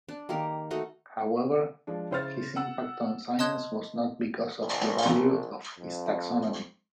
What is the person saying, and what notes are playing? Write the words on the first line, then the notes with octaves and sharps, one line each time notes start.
However, his impact on science was not because of the value of his taxonomy.
D4
D#3 A#3 G4 A#4
A3 D#4 F#4 D#5
F3 G#3 D4
C#3 E4 C5 C#5 F6 A6
F#5 E6
D#5 A5 C6 D#6 F#6 G#6
A#1
F2